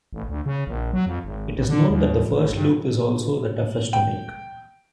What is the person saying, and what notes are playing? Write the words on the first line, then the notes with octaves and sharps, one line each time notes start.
It is known that the first loop is also the toughest to make.
A1
D2
C#3
A#1
F#3
F2
G#1
B1
D3
D#2
A1
G2
G5